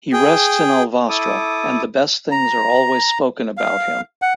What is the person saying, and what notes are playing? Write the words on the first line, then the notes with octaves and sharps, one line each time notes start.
He rests in Alvastra, and the best things are always spoken about him.
G#4 G5
E4 A4 D6 D#6
A#5
F5
F#5